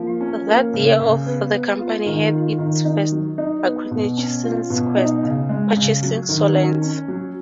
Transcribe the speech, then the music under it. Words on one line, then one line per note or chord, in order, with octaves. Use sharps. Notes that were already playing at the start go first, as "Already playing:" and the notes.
That year the company had its first acquisition since Quest, purchasing Soliance.
Already playing: F3 A#3
C#4
A#3
C#3
C#3
B3
B3
F4
D#3
F4
D#3
D#4
F#3
D#4
B3
B2
C#4
F4
B2
D#4
C#3
G#3
C#3
F#3
D#3
C#4
C#4
F#3